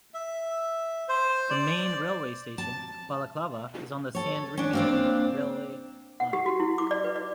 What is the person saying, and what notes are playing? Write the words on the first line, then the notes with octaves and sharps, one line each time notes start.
The main railway station, Balaclava, is on the Sandringham railway line.
E5
C5
D5
A5
A4 C#5
C#4 D4
A#3 C4 D4
F#5
G4
F#4
E4
D6
D5
B4
D5